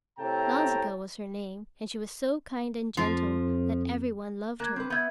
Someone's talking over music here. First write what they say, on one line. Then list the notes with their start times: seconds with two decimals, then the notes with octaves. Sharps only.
Nausicaa was her name, and she was so kind and gentle that every one loved her.
0.18 A2 C3 G5 A5 A#5
2.97 F2 F3
4.60 A#3 F#6 G#6
4.76 C4 B4
4.90 B3 E5 G6 G#6